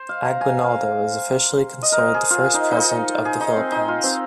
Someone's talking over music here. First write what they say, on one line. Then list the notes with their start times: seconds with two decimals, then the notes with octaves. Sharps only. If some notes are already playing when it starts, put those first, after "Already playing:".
Aguinaldo is officially considered the first President of the Philippines.
Already playing: C5
0.09 F5
0.25 A#5
0.41 G#5
0.64 F5
1.82 D#5
1.92 A#4
1.98 C5
2.14 G#4
2.31 F4
2.54 D#4
2.71 D#4
2.77 F4
3.25 G#4
3.40 D#4
3.57 C4
3.72 D#4
3.88 F4
4.03 C4